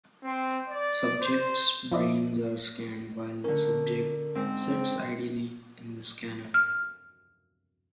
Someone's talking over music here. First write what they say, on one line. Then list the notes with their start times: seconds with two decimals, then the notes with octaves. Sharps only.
Subjects' brains are scanned while the subject sits idly in the scanner.
0.23 C4
0.68 D5
1.21 C5
1.92 F3 E4 D5 D#5
3.44 D3 C#4 A#4
4.35 G#2 C4
6.54 F6